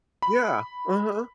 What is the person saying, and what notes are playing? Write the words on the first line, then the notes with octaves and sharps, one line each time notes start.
Yeah. Uh-huh.
B5